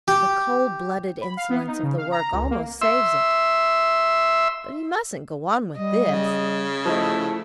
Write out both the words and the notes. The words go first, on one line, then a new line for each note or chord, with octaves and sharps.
The cold-blooded insolence of the work almost saves it; but he mustn't go on with this.
G4
B5
F5
B3
D#4
C#3
F5
A#5
C#2
A#3
E5 C6 E6
G3 D#5
C#3
F3 A3 E4 D#5